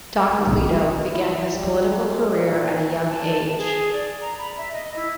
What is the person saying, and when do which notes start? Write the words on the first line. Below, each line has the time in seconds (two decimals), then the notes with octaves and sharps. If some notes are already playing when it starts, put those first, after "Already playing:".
"Don Cleto" began his political career at a young age.
0.37 D#3
1.11 E4
1.53 G3
2.00 G#3
2.30 A#2
3.09 A5
3.58 G#4
3.93 D5
4.21 A#5
4.38 B5
4.57 E5
4.73 D#5
4.96 E4